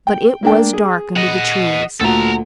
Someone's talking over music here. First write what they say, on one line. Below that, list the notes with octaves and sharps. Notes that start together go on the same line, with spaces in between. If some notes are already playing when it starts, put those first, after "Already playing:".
But it was dark under the trees.
G5
A#3 D4 G5
G#4
D#5 F#5
D2 A#2 F#4 A4 A#5